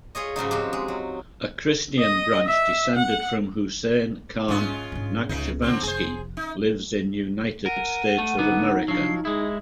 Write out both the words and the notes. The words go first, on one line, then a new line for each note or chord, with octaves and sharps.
A Christian branch descended from Huseyn Khan Nakhchivanski lives in United States of America.
F4 G#4 C#5 D#5
G#2 C#3 F#3 D#4
F3 C4 F#4 G4
G#3
F#3
D#5
E5
F#5
G#2 G#3 C#4 F4
G#2 D4
C#2 C#3 D#4
D3 F#3 C4
F1 G#4 C5
D#4
A#4 F#5 D#7
A3
D3 B3 D#4
F3 F#3 D4 C7
G#3 E4 G#4 D#6